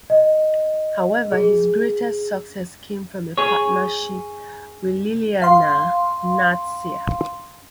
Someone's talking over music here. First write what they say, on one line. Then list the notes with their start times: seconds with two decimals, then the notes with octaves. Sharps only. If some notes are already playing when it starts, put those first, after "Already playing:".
However, his greatest success came from a partnership with Lilyana Natsir.
0.10 D#5
1.32 G#4
3.38 G#4 C#5
5.42 F5 C6